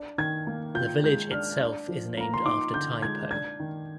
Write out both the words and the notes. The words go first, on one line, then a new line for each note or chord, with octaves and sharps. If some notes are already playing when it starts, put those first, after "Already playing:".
The village itself is named after Tai Po.
Already playing: D4
D#3 G#6
A#3
F4 G6
G#3 G6
D4 F6
D4
F3
A#3 A#5
C6
D#4 D6
D3 G6
G#3 G#6
D4 G#6
D#3